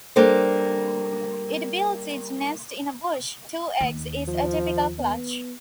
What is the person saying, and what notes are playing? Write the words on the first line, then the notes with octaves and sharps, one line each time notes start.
It builds its nest in a bush; two eggs is a typical clutch.
G3 A#3 D4 A4 C5
D#2
F3
B3